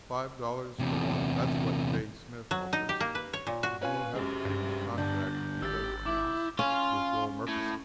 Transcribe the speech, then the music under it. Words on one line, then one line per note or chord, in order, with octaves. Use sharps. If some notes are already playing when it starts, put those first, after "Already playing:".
Five dollars for one--that's what J. Smith offers, and he'll have to keep his contract if he does business with Bill Murkison.'
E2 C3
F#3
D#4
G4
A#3
B4
C#5
A#2
F#4
C#4 F4 B4 G#5
F#2 G#3 C4 G4
G2
D3 G3 D4 G6
G#1 G4 E6 G6 A6
E4 D6
C#4 F4
A2